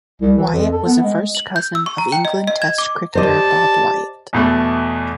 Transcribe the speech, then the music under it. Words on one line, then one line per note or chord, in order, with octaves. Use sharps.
Wyatt was a first cousin of England Test cricketer Bob Wyatt.
C2
E3
F2
A4
B3
G#3
F#7
G6
E6
C#6
A#5
G5
D#5
D#5
G#6
D6
G4 C5 D5 D#5 A5 D6
E2 B2 A3